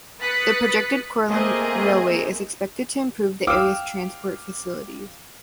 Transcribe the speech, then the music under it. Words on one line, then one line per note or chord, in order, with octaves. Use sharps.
The projected Koralm Railway is expected to improve the area's transport facilities.
B4 D#6 F#6 A6 B6 C#7
A3 A#3 C4 G#4 D#5
F5 G5 D6 E6 F6